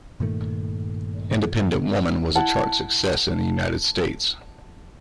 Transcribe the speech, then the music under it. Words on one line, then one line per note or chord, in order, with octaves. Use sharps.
"Independent Women" was a chart success in the United States.
G2 A#2 D#3 A3
E4 F#5 A5